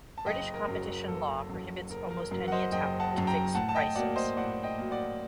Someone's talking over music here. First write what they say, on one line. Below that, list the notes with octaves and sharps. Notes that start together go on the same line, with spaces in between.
British competition law prohibits almost any attempt to fix prices.
A5
F#1 D#5 G5
A#4
F#2 F#3
A#4
F#1 A4
F#2 F#3
F#1 A#4
A#4
F#2 F#3 A#4
F#5
C5 D#5
F#1 D#5 G5
F#5 A5
F#2 F#3
G5 A#5
A2 F#5 A5
A5
D#5 G5
F#3 A#3 D5 F#5
C5 D#5
A2 D5 F#5
D#5 G5
F#3 A#3
D5 F#5